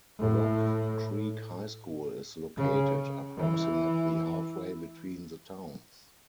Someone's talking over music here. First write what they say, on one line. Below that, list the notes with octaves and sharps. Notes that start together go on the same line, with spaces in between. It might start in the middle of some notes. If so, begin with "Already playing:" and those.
Rock Creek High School is located approximately halfway between the towns.
A2
C#3
E3